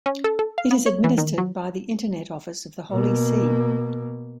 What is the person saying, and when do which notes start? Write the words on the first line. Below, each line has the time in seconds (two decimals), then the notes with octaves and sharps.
It is administered by the Internet Office of the Holy See.
0.06 C#4
0.24 A4
0.39 A4
0.58 F5
0.71 B3
0.86 C#5
1.04 E3
1.18 D#3
1.38 F#3
2.92 B2 A#3